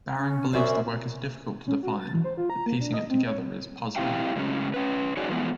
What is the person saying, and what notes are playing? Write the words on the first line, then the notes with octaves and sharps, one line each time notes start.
Bowring believes the work is difficult to define, that piecing it together is puzzling.
C#4
F#2 F#4 C5 D5 E5
C#4
F#4
A6
E3
C5
F4
A#5
A#3
D4
D#5
C4
C#5
C4 E4 G4 F5 G5
A2 C#3 F#3 G#3 B3 C#4
C#4 B4
D#4 F#4 G#4 C#5 D5
E3 F3 G#3 A3 B3